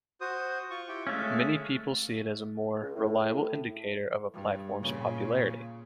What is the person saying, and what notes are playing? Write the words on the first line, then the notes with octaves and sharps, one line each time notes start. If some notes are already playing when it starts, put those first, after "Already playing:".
Many people see it as a more reliable indicator of a platform's popularity.
F#4 C5 D#6
F4 C#6
E4 G4 G5
G#3 A3 C#4 E5 F5
C#2
A2
A2
G2
A#2 C#3